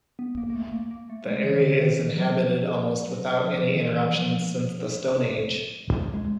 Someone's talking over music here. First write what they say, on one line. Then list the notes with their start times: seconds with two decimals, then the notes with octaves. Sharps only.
The area is inhabited almost without any interruptions since the stone age.
0.19 B3
0.37 A#3
0.50 A#3
0.55 A3
0.73 A#3
0.91 A#3
1.10 A3
1.27 G#3
1.45 E3
1.58 D#3
1.64 D3
1.74 D3
1.81 D#3
1.99 E3
2.17 F#3
2.35 F3
2.72 F3
3.07 F#3
3.44 F3
3.74 D#3
3.79 E3
4.05 E3
4.15 F3
6.14 G#3